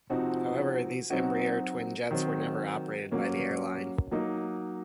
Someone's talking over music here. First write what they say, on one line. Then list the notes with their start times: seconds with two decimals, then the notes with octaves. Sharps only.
However, these Embraer twin jets were never operated by the airline.
0.10 C3 F3 C4 D#4 F#4
1.10 F#3 C4 D#4 F#4
2.11 D#3 F#3 C4
3.11 F#3 A#3 C#4
4.11 F#3 A#3 D#4